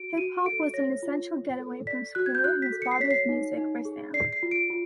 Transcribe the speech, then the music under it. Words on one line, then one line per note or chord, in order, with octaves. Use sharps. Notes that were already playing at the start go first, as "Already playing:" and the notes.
Hip-hop was an essential getaway from school and his father's music for Sam.
Already playing: F#4 D7
F#4 D#7
A4 D7
C#5 A#6
F4
F4
A4
D5 B6
F#4 F#6
G#6
G6
F#4 F#6
B6
A4
C#7
C7
C#5 B6
C7
D#4
D#4
G#4
D5 C7
C7
F4
D7
F4